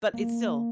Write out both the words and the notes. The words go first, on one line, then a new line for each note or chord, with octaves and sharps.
but it's still
A#3